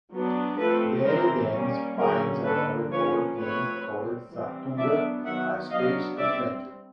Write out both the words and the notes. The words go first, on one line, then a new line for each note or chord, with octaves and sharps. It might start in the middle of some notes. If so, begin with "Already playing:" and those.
Danny then finds another board game called "Zathura: A Space Adventure".
F#3 B3 D4
F3 A3 C4 A4 B4
E3 G#3 C4 A#4 C5
G3 A#3 C#4
D3 F#3 A#3 C#4 G#4 A#4
D3 G3 A#3 A4 B4
F3 A#3 C#4 B4 C#5
F3 A3 C4 B4 C#5
G3 C4
E3 G3 C4
F#3 B3 D4 D5 E5
D#3 F#3 B3 E5 F#5
F#3 B3 D4 D#5 F5
G3 C4 D5 E5